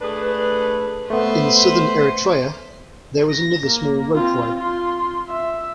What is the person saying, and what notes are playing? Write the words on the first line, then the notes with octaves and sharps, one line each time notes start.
In southern Eritrea there was another small ropeway.
A3 D4 G#4 B4
A3 B3 B4 C5
A#6
A#3
C4 F4
F4 C6
E5